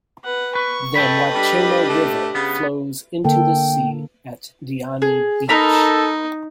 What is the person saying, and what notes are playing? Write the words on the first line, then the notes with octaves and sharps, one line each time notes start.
The Mwachema River flows into the sea at Diani Beach.
B4 F#5
B4 C#6
A4 B4 D#5 G5 B5
G3 D4 G4
A3
C#3 B3
D3 A#3 A4 G5
G#4
D#4 A4 A#4 A#5 B5